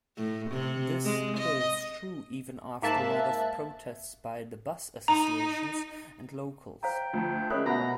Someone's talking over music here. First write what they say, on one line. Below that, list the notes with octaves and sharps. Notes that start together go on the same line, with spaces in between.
This holds true even after lot of protests by the bus associations and locals.
A2
C3
G#3
D#5
G#2 A#3 E5 A5 F#6
D#4 A#5
C5 F5 G5 A#5
D2 F3 F4 A5
G#3 C#4 A#4 E5 B5 D#6 F#6
B2 E5 F#5 A#5 B5